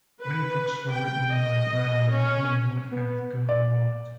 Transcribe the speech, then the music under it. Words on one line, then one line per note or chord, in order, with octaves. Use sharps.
Many books were written by Brown, including What Hath God Wrought?
B4
G5
D#5
C#4
B3
D5